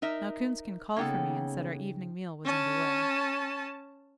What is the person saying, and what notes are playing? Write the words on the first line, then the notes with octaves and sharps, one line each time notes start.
Now Coonskin called for me and said our evening meal was under way.
D#4 A#4 E5
C#3 A#3 B3 C#4 D#4 A4 G5
C#4 A5